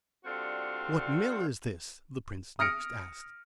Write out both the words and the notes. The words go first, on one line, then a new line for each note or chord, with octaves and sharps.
"What mill is this?" the prince next asked.
G3 C4 D4 F4 F#4 A4
D#6 F6 A#6 C#7 D7